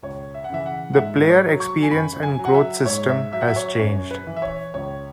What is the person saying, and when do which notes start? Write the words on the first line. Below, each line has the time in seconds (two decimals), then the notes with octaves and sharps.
The "Player Experience and Growth System" has changed.
0.03 C#2 C#5
0.34 E5
0.44 F#5
0.49 C#3 E3 E5
0.66 F#5
0.93 F#5
0.97 G#2 E5
1.20 B4
1.29 C#5
1.44 F#3
1.60 C#6
1.82 G#5
1.91 F#2 B5
2.23 G#5
2.39 F#3
2.45 F#5
2.54 E5
2.85 G#2 C#5
3.09 E5
3.33 F#3 E5
3.41 F#5
3.48 E5
3.56 C#5
3.79 F#2 C#5
4.11 B4
4.27 E3
4.36 E5
4.42 C#5
4.74 C#2 C#5